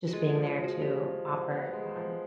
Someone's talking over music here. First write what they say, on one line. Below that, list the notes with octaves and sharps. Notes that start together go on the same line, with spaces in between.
just being there to offer, um,
F#4
G#3 F4
E4
F3
F4
F3
F#4
F3 G4
F3
F3
B3
G#3
F3